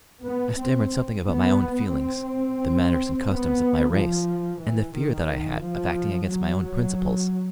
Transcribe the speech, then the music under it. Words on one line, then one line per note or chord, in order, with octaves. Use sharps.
I stammered something about my own feelings--the manners and customs of my race--and the fear that I had of acting against my own principles.
B3
C4
B3
C4
B3
F3
E3
D#3
F3
F#3